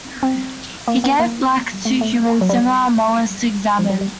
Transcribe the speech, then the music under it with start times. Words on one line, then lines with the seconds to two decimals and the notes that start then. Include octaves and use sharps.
He gave Black two human-similar molars to examine.
0.23 C4
0.88 A#3
1.04 B3
1.19 A#3
1.85 A3
2.01 A3
2.41 F#3
2.49 G3
3.79 F3
3.90 F#3
4.01 G3